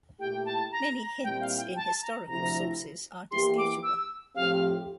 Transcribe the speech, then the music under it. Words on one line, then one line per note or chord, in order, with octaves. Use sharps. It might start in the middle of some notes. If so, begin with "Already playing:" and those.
Many hints in historical sources are disputable.
A#2 A3 E4 G4 G5
A5
A#5
A#5
A#2 G3 C4 E4 G4 G5
F5
G5
A5
A#5
D2 C3 F3 A3 E4 A#5
E2 E3 A#3 E4 G4 C6
D6
E6
A2 F3 C4 G4 F5